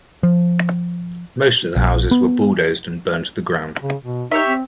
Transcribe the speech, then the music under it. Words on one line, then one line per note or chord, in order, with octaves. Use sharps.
Most of the houses were bull-dozed and burned to the ground.
F3
A#1
B3
C#3
B2
D#4 G4 C#5 E5
C4